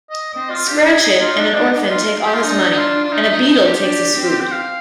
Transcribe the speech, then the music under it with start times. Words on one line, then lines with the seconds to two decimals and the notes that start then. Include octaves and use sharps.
Scratchit and an orphan take all his money, and a beadle takes his food.
0.10 D#5
0.33 C4 D#5
0.50 F4
0.68 D4 G4
0.79 A#4
0.86 G#4
1.03 D#4 G#4
1.21 F4
1.38 D4
1.56 D4
1.90 F4
2.25 G4
2.34 F4
2.42 D4 D#4
2.71 D#4
2.78 F4
3.03 F4
3.13 D#4
3.30 D#4
3.48 D#4
3.65 G4
3.82 D4 G4
4.16 C4
4.41 G5
4.52 F5